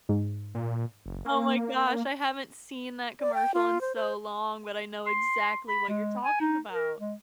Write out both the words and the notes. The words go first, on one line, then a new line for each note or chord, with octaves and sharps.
Oh my gosh! I haven't seen that commercial in so long, but I know exactly what you're talking about.
G#2
A#2
F#1
A#3
D5
G5
F4
C5
C5
C6
B5
G#3
G#5
D#4
A#4
G#3